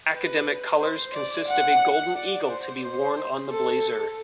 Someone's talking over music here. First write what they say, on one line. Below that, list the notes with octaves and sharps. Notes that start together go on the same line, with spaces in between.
Academic colours consist of a golden eagle to be worn on the blazer.
B4
C5
D5
F#5
D5
C5
C5
A4